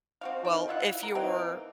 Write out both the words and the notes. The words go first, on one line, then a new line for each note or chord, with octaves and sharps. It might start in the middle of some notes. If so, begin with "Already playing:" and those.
Well, if you're
C4 F#4 F5
D#3
E4 F4 E5 F#5
A#4
E3 A#3 C4 D#4
A#3